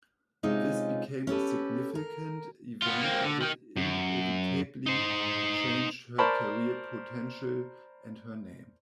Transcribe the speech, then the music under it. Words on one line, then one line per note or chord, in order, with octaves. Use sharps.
This became a significant event that inevitably changed her career potential and her name.
C3 G#3 C#4 D#4 F4
C#4 G4 A4 B4
A#4
B3 F4
A#3 C4
D3
D#3
F#2
D#4 C5
A#4 C5 D5 A5 B5 C#6